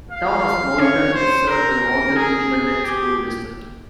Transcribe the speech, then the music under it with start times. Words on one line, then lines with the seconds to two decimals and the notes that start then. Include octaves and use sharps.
The Town of Moulton is served by the Moulton Independent School District.
0.11 F5
0.79 C#5
1.14 C5
1.48 A#4
2.16 G#4
2.84 G4